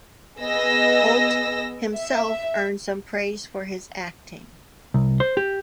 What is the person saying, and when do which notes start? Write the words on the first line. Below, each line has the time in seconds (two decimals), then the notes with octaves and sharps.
Hoult himself earned some praise for his acting.
0.38 B3 G#4 D#5 E6 A#6
1.95 E5
4.94 C2
5.20 C5
5.37 G4